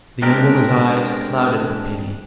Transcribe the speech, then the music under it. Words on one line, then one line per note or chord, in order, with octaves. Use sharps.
The young woman’s eyes clouded with pity.
G#3 C4 D4 G4 A#4